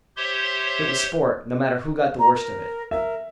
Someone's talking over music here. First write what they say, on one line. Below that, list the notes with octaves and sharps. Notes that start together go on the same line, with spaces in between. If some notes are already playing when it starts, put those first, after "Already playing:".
It was sport, no matter who got the worst of it.
G4 C5 C#5 E5 C6
A#5
A#4
A#4 E5